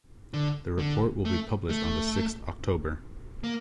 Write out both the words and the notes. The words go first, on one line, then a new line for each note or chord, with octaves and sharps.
The report will be published on the sixth October.
D3
D3
A3
A3
A#3